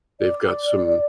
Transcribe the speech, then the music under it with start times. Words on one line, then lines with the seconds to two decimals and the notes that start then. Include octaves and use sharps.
they've got some
0.20 D5